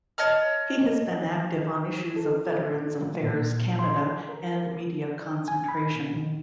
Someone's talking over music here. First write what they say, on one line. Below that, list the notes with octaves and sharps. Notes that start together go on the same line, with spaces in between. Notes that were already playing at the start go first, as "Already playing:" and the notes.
He has been active on issues of Veterans Affairs Canada and media concentration.
C#5 D#5 A5 F6
A4
A#2
C6
A#4
G#5
B5
B2
D#3